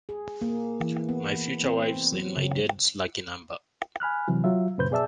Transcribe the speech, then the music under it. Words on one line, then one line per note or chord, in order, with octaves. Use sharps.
My future wife's and my dad's lucky number.
G#4
A#3
E3
B3
C4
F#3
C#3
G#5 B5 F6 F#6
C3 E3 F#3
F#3 F4 E5
F#2 A#2 C#3 B4 C5 G6
B2 G#4 D5 E5 A5 E6